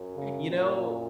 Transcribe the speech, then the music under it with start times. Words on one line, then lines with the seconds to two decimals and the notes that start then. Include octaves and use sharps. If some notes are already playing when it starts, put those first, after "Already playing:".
You know
Already playing: F#2
0.16 C#3
0.51 F#2 A#2